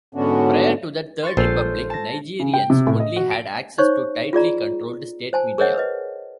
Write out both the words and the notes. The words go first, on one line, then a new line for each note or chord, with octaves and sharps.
Prior to the Third Republic, Nigeriens only had access to tightly controlled state media.
G#2 D3 B3 C#4 D4 F#4
C6 C#6 A6
A#1 F4 A4 C5
A5 A#6
C#3
G5
C3
A2
D#5
F#4
D7
D#4 C5 C#5 C#6
F4 G#4 D5 A#5
C5 G#5 A5
G#4 A#4 C5 C#5 D#5 F#5
B4 D#5